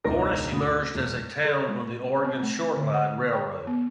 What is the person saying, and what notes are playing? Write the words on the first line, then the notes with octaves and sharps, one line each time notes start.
Cornish emerged as a town on the Oregon Short Line Railroad.
E1 C#2 D4 D#4 A#4 A#6
D2 G#2 D#6
E1
A4
G#3
C4
A3
D3
F#5
G5
B3